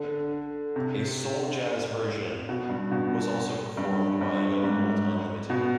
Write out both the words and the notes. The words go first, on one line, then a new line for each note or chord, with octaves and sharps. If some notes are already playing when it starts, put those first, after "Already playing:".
A soul-jazz version was also performed by Young-Holt Unlimited.
Already playing: D3
C3
B2
G2
B2
G2
G2
G#2
B2